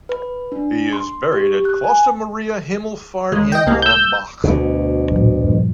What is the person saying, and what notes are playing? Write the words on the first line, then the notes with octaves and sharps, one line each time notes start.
He is buried at Kloster Maria Himmelfahrt in Bronnbach.
B4
D4
C6
G4
F#6
G#5
D#2 G#3
D#5 G5
C2 A#3
E6 G6
D2 B2
A1 A#2 F#3
G2 A#2 F3